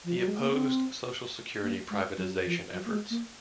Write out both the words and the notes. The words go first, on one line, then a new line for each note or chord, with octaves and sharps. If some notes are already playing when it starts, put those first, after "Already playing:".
He opposed Social Security privatization efforts.
F3
F#3
G#3
A#3
C4
A#3
G#3
F#3
F3
F#3
A#3
G#3
A#3